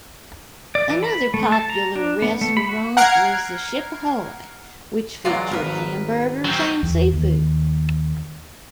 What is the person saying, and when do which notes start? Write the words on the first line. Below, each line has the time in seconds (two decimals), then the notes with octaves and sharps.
Another popular restaurant was the Ship Ahoy, which featured hamburgers and seafood.
0.75 D5
0.90 E3
1.03 B5
1.34 A3
1.52 A5
1.70 A#5
1.96 D4
2.22 B3
2.41 A3
2.57 B5
2.69 F#4
2.97 F#5 A#5 F6 G#6 C7 D7
5.25 E3 F#3 G#3 F4 D5 F#5
5.51 G#1 A#4 B4
6.45 F#3 C4
6.83 E2
7.13 D#2